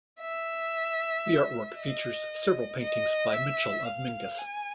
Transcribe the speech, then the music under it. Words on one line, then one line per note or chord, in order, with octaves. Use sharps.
The artwork features several paintings by Mitchell of Mingus.
E5
D#5
D#5
E5
F5
G#5